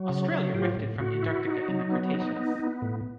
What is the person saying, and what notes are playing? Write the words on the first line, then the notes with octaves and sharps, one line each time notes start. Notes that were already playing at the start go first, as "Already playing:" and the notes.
Australia rifted from Antarctica in the Cretaceous.
Already playing: F#3
C#3
F#3
A2 F4 G4
A2
A2 F#4
E4
D#4
F#3
B3
D#4
B3
B3
A2